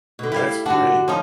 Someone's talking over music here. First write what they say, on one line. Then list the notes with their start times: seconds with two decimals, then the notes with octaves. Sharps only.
That's great.
0.19 B2 D3
0.32 G3 E4 F5
0.66 D3 D4 F#4
1.08 F3 C#4 D#4